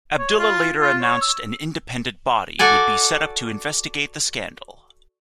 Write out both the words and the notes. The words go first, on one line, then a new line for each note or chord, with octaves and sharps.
Abdullah later announced an independent body would be set up to investigate the scandal.
C#5
F4
F4
C#5
E6
F#4 A4 D5 G#5